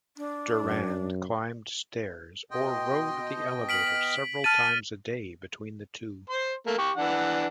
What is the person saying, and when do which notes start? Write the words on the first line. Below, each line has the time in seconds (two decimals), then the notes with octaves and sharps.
Durand climbed stairs or rode the elevator several times a day between the two.
0.17 D4
0.64 F#2
2.51 B2 D#5 G5 C6
3.69 F6 B6 D7 F#7
4.44 A5 F6 A6 D#7
6.30 C5 C6
6.67 A3 A#3
6.78 G4 C#6
6.96 E3 D4 F#5